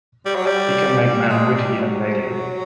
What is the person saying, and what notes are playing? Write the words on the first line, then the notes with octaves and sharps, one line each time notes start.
He can make men witty and valiant.
G3
F#3
G3
G3
G#3
G3
F#3